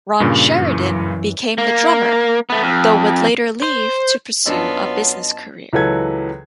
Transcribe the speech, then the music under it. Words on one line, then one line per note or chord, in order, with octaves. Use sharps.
Ron Sheridan became the drummer, though would later leave to pursue a business career.
G2 A#2 C#3
F#2 E3
A#3
A3 B3
F2
C5
F#2 F#3 B3 D4 F4 D#5 A5 E6
C#2 E3 F#3 A4 B4 G#6